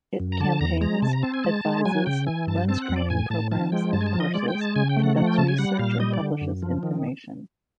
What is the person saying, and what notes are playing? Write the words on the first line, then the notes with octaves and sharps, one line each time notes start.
It campaigns, advises, runs training programmes and courses, conducts research and publishes information.
F#2
A#5
D3 A5
E2 A#5
G#3 A#5
C3 A5
A#5
C4 A5
G#5
G#3 A5
G#3
F#3 G#5
C#3 G5
E3 G#5
G2 A5
C4 A5
F#5
F2
D5
A2 G#5
A2 A5
F3 A5
G#3 G5
G2 A5
G#5
A5
F3
D#5
G#3 D5
G5
G#3
A5
C#3 G#5
G5
A3
F#5
F3 F#5
G5
C#3 A5
G#5
G3 F#5
A#2 F5
G3 D#5
D5
D3
F#2
F3
D#3